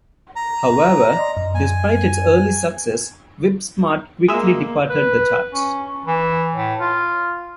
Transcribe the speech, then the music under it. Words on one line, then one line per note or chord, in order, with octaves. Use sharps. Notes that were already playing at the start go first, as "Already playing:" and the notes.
However, despite its early success, "Whip-Smart" quickly departed the charts.
A#5
D5 D#5 C6
F#2
G#5
G#3 A#3 E5
B4
C#4
E3
A2
F4